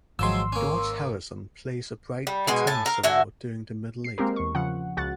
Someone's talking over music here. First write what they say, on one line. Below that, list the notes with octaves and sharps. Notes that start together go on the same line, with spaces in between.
George Harrison plays a bright guitar solo during the middle eight.
G#1 F3 F#3 G#3 C6 E6
A#3 C#4
G3
B2 G#3 G#5
A2 G#5 A5
A#4 F5
D3 F#4 E5 G#5
C7
G#3 A#3 C4 G4 A#4
E2 C#6
C#3 F3 F#5
C#2 F#4 F#5 F#6 A6